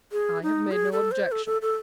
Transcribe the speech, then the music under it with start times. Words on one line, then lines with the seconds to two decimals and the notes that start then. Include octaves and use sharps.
"I have made no objection."
0.12 G#4
0.43 D#4
0.71 G#4
0.92 A4
1.11 C5
1.32 A4
1.46 A4
1.62 A4